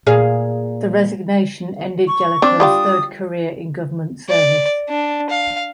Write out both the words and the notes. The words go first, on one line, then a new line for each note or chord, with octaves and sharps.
The resignation ended Jellicoe's third career in government service.
A#2 G#4 F5
C#6
C4 D4
G3 F4 G4 D#6
D5
D4
F5